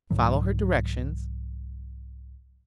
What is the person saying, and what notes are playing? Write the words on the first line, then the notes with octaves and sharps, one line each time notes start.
Follow her directions.
C2 G#2 D#3 F#3